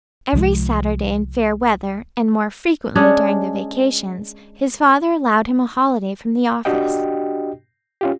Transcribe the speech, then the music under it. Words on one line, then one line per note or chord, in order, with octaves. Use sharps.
Every Saturday in fair weather, and more frequently during the vacations, his father allowed him a holiday from the office.
C2 F3 G#3
G#3 C#4 D4
D4 F#4 G4 D#5 G5
C#4 F4 G4